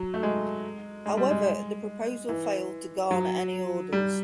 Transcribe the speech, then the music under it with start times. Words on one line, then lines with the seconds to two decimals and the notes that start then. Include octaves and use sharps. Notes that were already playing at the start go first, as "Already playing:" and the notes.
However, the proposal failed to garner any orders.
Already playing: F#3
0.14 A3
0.23 G#3
1.06 G#3
1.17 G3
1.30 G#3
2.29 E3
3.11 F#3
3.92 G3